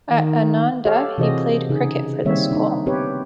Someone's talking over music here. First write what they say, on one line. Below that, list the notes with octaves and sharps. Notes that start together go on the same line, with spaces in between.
At Ananda he played cricket for the school.
D#3
G4 A4 C#5 F5
C3 E3 F#4 G#4 C5 D#5
C#3 D#4 G#4
D#3 G3 A#3 C4 C#5 E5
D4 D#4
B3 C4 G4 B4 C#5